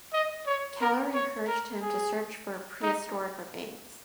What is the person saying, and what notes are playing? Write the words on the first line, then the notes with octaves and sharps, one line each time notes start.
Keller encouraged him to search for prehistoric remains.
D#5
C#5
A#4
C#5
A#4
G#4
D#4